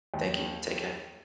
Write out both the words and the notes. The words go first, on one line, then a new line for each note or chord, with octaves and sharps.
Thank you. Take care.
D#2